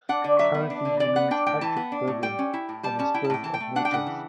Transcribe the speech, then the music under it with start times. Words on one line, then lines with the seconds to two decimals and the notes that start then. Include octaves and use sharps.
Currently, he leads Patrick Bergin and the Spirit Merchants.
0.09 D4 F#5
0.24 D3 D5
0.39 F#3 E5
0.54 B3
0.70 D4
0.85 D3
1.00 E3 D5
1.16 B3 F#5
1.31 D4 G5
1.46 A2 G5
1.61 E3 A5
1.77 B3
1.92 D4
2.07 A2
2.23 G3 G5
2.39 C#4
2.54 E4
2.69 A2
2.83 G3 A5
2.99 C#4 A5
3.14 E4 G5
3.24 A5
3.30 A2 G5
3.44 E3 A5
3.54 G5
3.60 A3
3.76 D4 F#5
3.85 G5
3.91 C#3 F#5
4.07 E3